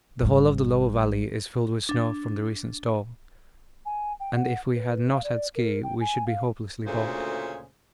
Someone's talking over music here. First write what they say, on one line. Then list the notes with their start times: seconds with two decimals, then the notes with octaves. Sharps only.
The whole of the lower valley is filled with snow from the recent storm, and if we had not had ski we should be hopelessly bogged.
0.21 G#1 G3
1.89 D4
3.85 G#5
4.20 G5
4.35 F#5
4.75 B4
5.10 F5
5.24 D5
5.55 A#4
5.83 G5
6.00 G#5
6.26 F5
6.86 D2 A#2 C#3 A3 G#4 C5